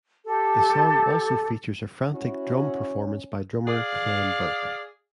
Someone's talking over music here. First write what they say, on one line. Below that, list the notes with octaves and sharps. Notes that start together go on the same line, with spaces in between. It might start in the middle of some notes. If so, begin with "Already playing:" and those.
The song also features a frantic drum performance by drummer Clem Burke.
G4 A4
C#4 E4 F#4
G#4 D5 F5